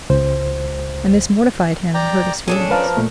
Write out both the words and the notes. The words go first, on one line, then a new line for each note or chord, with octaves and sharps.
And this mortified him and hurt his feelings.
C#2 C5
D5 G5 A#5
A#2 C#4 D4 G#4 A4
F3 A#4 B4 F5 A5
A#2 A3